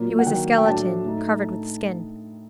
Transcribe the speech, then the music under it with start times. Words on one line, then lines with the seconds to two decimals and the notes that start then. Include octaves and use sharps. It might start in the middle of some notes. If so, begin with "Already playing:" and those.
He was a skeleton covered with skin.
Already playing: A#2 F#3 A#3
0.19 F#5
0.26 D#3 F#3 A#3 G5
0.58 G5
0.66 A2 F#3 A3 D4 A5
1.05 A2 A3 D#4